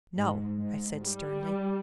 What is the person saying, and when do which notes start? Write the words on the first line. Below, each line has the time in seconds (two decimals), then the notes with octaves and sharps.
"No," I said sternly.
0.16 G#2
0.59 G#2
1.05 G3